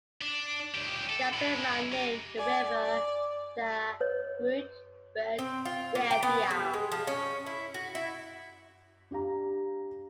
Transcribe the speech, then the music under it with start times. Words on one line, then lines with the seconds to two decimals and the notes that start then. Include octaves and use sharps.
Gabbema named the river the 'Groot Berg Rivier'.
0.21 D4
0.74 C#2 G4
1.09 A4
1.33 G#3 E4
1.92 G4 A#5
2.37 D5 G#5
2.83 D5
4.00 B4 C#5 D#5
5.39 C4
5.65 F4
5.95 A#3
6.11 G5
6.23 B3
6.51 G3
6.74 G#3
6.92 F3
7.07 C#4
7.46 E4
7.74 F#4
7.95 E4
9.11 D4 G4 F5 A#5